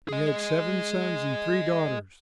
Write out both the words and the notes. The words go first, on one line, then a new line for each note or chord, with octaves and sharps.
He had seven sons and three daughters.
G#4 D#5